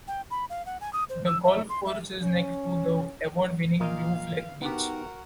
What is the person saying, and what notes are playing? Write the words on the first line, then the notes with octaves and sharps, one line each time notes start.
The golf course is next to the award-winning blue flag beach.
G5
B5
F5
F#5
G#5
D#6
C5
E6
E5
C6
E5
C#4
A#2 A#4 D#5 F5
B3 D#4 F#4 G4 A#4